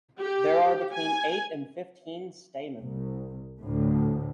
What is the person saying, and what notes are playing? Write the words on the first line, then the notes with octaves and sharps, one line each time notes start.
There are between eight and fifteen stamens.
G4
G#5
C2
D2 A2